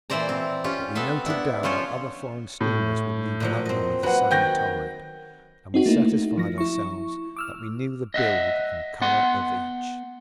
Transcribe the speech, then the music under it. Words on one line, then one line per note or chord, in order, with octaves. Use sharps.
But we noted down what other foreign steamers would leave London with the same tide, and we satisfied ourselves that we knew the build and color of each.
A#2 E3 E4 C5 D5 A#5
C4
C#4 F4 G4
B3 C4 A4 E5 F5
B3 D4 E4
F3 C#4 F4 C5 C#5
A2
A#2 F3 F#3
C4 D#5
F#3 A#3 B4 F#5
D#3 F#4 G5 G#5 G6 A#6
C4 D#4 F#4
A3 A#3 D#4 E4
F3 A#6
E4 C#6
D6 E6 F6
D#5 E5 F#5
B3 F#5 C6